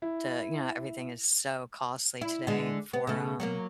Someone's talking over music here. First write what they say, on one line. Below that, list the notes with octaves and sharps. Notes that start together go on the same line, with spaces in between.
to you know, everything is so costly today for, um,
E4
E4
D3 G#3
B3
C#3 A3
F#3 G#3 A#3